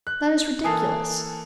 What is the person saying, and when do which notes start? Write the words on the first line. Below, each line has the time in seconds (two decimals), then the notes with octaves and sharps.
That is ridiculous.
0.07 F#6
0.64 E3 A#3 A4 G#5 D#6 C7